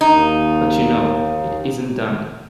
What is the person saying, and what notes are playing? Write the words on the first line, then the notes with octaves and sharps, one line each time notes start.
But you know, it isn't done.
D#2 D#4